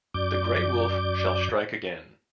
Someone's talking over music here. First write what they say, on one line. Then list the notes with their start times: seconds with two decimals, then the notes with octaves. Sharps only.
The Grey Wolf shall strike again.
0.14 F#2 D5 D6 G6